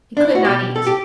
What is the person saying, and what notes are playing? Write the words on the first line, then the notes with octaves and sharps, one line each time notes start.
He could not eat.
D4
E4
F#4
B2 G4
A4
G4